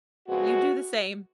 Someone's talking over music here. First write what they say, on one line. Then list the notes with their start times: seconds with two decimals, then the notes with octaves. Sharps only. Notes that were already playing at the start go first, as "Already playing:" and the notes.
You do the same.
0.27 F2 C#3 G#3 B3 F#4